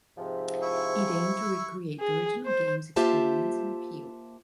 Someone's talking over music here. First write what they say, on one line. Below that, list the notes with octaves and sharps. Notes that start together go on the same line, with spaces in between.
It aimed to recreate the original games experience and appeal.
G#2 C3 F3
E4 C#6
G#4
C5
A#3 F4 G4 C5 E5 A5